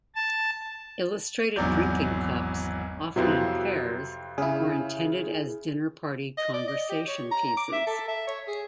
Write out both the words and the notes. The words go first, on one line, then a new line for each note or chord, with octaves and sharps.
Illustrated drinking cups, often in pairs, were intended as dinner-party conversation pieces.
A5
G#1 E2 F#3 D5 G6
F2 C3 F#3 B3 E4
C#3 E4 G#4
D#5
D5
D#5
G4
C#5
A#5
D6
E5
A4
E5
C#5
G#4